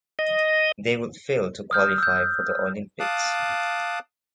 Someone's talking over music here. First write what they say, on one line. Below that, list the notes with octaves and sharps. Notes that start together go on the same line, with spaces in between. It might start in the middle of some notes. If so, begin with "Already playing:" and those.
They would fail to qualify for the Olympics.
D#5
D#6 F6 G6
E6 G6
F5 A5 D6 D#6 F#6